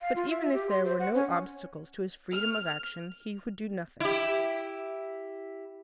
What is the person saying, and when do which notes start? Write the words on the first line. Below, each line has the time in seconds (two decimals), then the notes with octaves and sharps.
But even if there were no obstacles to his freedom of action he would do nothing.
0.01 F5
0.16 F4
0.30 E5
0.42 E5
0.54 G4
0.70 C6
0.85 C5
0.99 F#5
1.15 C#4
2.33 F6
4.00 E4 G4